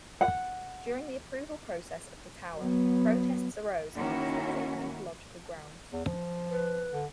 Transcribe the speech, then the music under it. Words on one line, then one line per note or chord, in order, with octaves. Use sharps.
During the approval process of the tower, protests arose on aesthetic and ecological grounds.
F#5
F#3 B3
D#3 A#3 C#4 E4 F#4
E2
F3
B4
D3